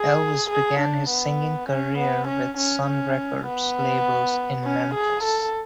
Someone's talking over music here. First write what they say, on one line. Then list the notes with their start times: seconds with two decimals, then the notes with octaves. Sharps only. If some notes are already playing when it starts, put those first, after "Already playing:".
Elvis began his singing career with Sun Records label in Memphis.
Already playing: G#4
0.50 G#4
0.80 D4
1.09 B3
1.69 C#4
1.98 B3
2.28 C#4
2.58 C#4
2.87 C#4
3.46 B3
4.64 C#4
4.95 G#4
5.24 A4